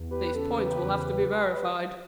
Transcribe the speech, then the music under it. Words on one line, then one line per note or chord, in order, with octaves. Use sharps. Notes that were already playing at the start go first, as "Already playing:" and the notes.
"These points will have to be verified."
Already playing: E2
G4 B4
C#3 A4
G4 B4
E2